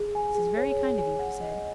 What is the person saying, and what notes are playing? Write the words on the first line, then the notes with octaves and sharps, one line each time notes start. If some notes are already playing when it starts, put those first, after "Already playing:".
"This is very kind of you," he said.
Already playing: G#4
G#5
G#4
C#5
G#4
G#5
F#5
D#5